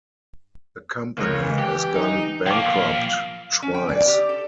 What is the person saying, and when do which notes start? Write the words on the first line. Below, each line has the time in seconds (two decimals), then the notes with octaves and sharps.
The company has gone bankrupt twice.
1.18 C#2 A#4 C#5
1.40 E3
1.59 G4
1.96 D#4
2.46 F3 A#3 F5 G5 A5 D6
3.62 C#4
3.74 G5
3.89 D5
4.08 G4
4.29 A4